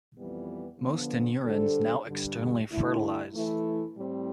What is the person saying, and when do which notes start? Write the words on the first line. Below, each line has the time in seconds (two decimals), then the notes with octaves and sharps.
Most anurans now externally fertilize.
0.17 F2 E3 G3 B3
0.79 D3 F3 B3
1.43 D3 G3 D4 A4 C5
2.07 G2 D3 G3
2.70 D2 D3 A3 E4
3.34 E3 A3 E4
3.97 A2 G3 C4